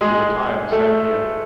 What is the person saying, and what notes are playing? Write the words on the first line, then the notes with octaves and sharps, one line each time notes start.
He retired the same year.
G#3 G#4
A3 A4